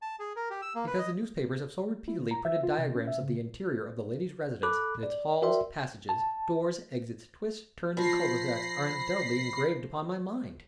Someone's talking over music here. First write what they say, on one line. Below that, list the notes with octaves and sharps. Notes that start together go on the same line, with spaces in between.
Because the newspapers have so repeatedly printed diagrams of the interior of the lady's residence that its halls, passages, doorways, exits, twists, turns, and culs-de-sac are indelibly engraved upon my mind.
A5
G#4
A#4
G4
E6
A#3
B4
D#5
E4
D3
A#5
E5
F4
C3
C#4
E5
C#3
A4 B5 D6 F#6
D5
F#4 A#4 D5 E5 G5 C6
A5
F3 B5 A#6 C7